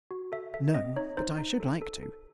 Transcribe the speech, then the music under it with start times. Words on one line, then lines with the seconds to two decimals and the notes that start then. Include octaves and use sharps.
"No, but I should like to."
0.11 F#4
0.32 A4 E5
0.54 A4 E5
0.74 C4 D#5
0.96 D#4 C#5
1.17 D#4 C5
1.39 D#4
1.60 A4
1.82 A4
2.03 A4